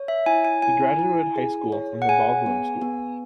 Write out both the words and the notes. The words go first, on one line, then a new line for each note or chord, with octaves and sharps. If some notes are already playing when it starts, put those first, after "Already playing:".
He graduated high school from the Baldwin School.
Already playing: C#5
E5
E4 G#5
G#5
E4 G#5
E4
G#4
C#5
F#5
G#4 G#5
B3
B3